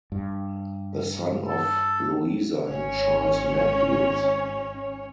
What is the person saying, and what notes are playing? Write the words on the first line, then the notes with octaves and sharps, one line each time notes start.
The son of Louisa and Charles Matthews.
G2
A4
G#1 C#4 C#5